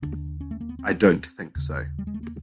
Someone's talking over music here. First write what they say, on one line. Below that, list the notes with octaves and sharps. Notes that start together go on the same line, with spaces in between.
I Don't Think So.
D#2 D3 D4
C#4
A3
A#3
B3
C4
D#2 C#3
G3
G#3
A3
A#3